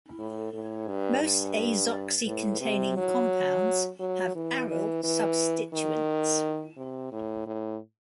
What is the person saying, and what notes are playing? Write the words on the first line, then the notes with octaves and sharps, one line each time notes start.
Most azoxy-containing compounds have aryl substituents.
A2
A2
G2
G2
A2
C3
F#3
F#3
E3
E3
E3
D#3
C3
A2
A2